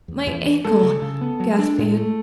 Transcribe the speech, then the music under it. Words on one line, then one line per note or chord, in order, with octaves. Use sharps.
"My ankle," gasped Anne.
E2
E2
E3
G#3 A4
C#3
C#3
B3
F#3
D4
A2
A3